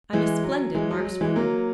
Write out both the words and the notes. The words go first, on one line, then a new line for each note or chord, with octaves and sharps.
"I'm a splendid markswoman."
E3 G#3
F#3
E3 G#3
F#3
G#3
F#3
E3 G#3
F#3 A#3